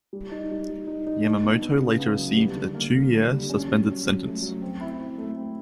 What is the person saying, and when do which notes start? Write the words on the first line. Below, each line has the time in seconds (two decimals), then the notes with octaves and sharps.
Yamamoto later received a two-year suspended sentence.
0.13 G3
0.32 D#4
0.51 G3
0.69 G3
0.87 D#4
1.07 D#4
1.26 D4
1.44 B3
1.62 B3
1.81 C#3
2.00 B3
2.19 F#3
2.37 G3
2.56 D3
2.75 A#3
2.94 D3
3.12 D3
3.31 G3
3.50 C#4
3.68 F#3
3.86 F#3
4.06 F#3
4.24 A3
4.42 F#3
4.62 C4
4.81 E4
4.99 C4
5.18 A3
5.36 C4